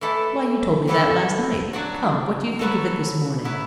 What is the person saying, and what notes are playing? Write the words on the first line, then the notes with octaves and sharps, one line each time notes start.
"Why, you told me that last night--come, what do you think of it this morning?"
E3 A3 E4 A4
A2 E3 B3 E4 A4
F#3 D4 F#4
F#3 B3 F#4 A4
F#3 B3 E4